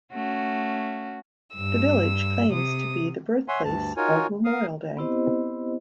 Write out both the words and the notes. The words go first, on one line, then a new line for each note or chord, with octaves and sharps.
The village claims to be the birthplace of Memorial Day.
A3 C#4 F#4
G2 E6
C3 D#6
C#5 E5 F#5 G#5 C6
D2 G2 A5
D#4 F4 F#4 A#4 C#5 G#5
A#4 F5 D#6
B3 C4 E4 G4 C5 D#5